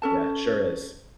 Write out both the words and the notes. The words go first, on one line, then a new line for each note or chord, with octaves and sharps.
Yeah, it sure is.
C#4 A4 A5